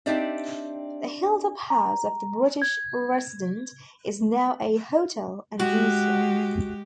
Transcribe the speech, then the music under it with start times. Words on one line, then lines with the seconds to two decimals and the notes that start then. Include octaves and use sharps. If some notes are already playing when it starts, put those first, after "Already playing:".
The hilltop house of the British Resident is now a hotel and museum.
0.06 C4 D4 D#4 G4 D5 E5
1.70 A#5
2.62 G#6
5.59 G#3 F#4 G4